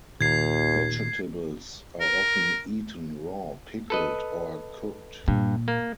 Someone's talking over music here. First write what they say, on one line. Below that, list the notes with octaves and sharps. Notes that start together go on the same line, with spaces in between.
Vegetables are often eaten raw, pickled, or cooked.
D#2 A#2 D#3 G#6 C7
A#4
A4 B4 D#5
G2 A#2
A#3